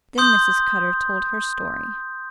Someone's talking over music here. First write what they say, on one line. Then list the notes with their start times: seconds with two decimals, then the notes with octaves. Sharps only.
Then Mrs. Cutter told her story.
0.18 C6 D#6 G6